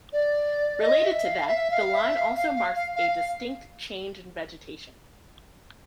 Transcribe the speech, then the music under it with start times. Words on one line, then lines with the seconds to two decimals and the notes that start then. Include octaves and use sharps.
Related to that, the line also marks a distinct change in vegetation.
0.13 D5
0.80 D#5
1.04 E5
1.25 F5
1.48 E5
1.71 F5
1.94 E5
2.16 F5
2.36 F5
2.56 F5
2.76 F5
2.96 F5
3.16 F5